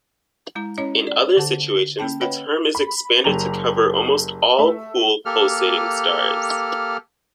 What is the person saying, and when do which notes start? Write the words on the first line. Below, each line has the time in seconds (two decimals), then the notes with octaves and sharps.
In other situations, the term is expanded to cover almost all cool pulsating stars.
0.55 G#3 E4 A#5
0.78 C#4 E4 C#5 D#5 A#5
1.07 D5
1.37 D3 A4 F#5 A5
1.99 A#3 C#4 G5 A5
2.21 B4 C#5 D#5 F#5 G5 B5
2.75 B5
3.24 F#1 G4 A#5 F7
4.58 A3 E5
5.25 A#3 G4 A4 F6